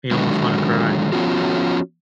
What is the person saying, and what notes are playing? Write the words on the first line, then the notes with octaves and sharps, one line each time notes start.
me almost wanna cry.
D3 D#3 F#3 G#3
F3 B3 C#4 F4 F#4